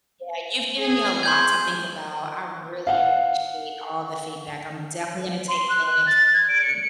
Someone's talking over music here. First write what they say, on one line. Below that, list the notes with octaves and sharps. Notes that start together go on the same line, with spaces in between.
yeah, you've given me a lot to think about, I really appreciate all the feedback, I'm definitely gonna take it in and consider it.
G#4
C6 G6 G#6
F5 F#5
C6
F#6
F#6
A6
G#6
D7
C#7